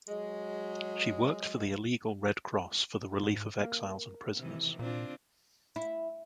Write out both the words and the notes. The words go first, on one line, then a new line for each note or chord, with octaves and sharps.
She worked for the Illegal Red Cross for the Relief of Exiles and Prisoners.
F#3 G#3
G#2
A#3
C3 D#3 E3
A#2 C4 D4 F4
E4